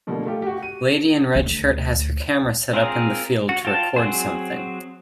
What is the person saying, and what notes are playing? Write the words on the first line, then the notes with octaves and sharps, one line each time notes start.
Lady in red shirt has her camera set up in the field to record something.
B2 D3 F3 G3 A3 A#3
A3 F4 G4
F#4 G4
D#7
D2
C4 F4 G#4 A#4
F#4
F4 G5 A5
F#3 C4 F#4 G#4 C5